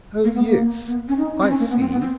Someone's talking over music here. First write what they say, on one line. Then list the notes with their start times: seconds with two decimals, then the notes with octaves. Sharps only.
"Oh, yes, I see."
0.24 A#3
0.35 B3
0.46 A#3
0.87 B3
1.08 C#4
1.18 D#4
1.42 C4
1.50 C#4
1.60 A#3
1.70 B3
1.80 C4
1.92 B3
2.01 C4